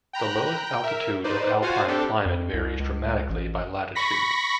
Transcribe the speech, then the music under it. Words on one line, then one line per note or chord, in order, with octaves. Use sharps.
The lowest altitude of alpine climate varies dramatically by latitude.
G5 A#5 B5 F#6
G5
A#4 E5
D#4 B4 C5 D5
F4 F#4 C5 F5 F#5 G#5
C4 D4 G4 A4
F2
C2
C#2
A1
B5 C#6 A#6 B6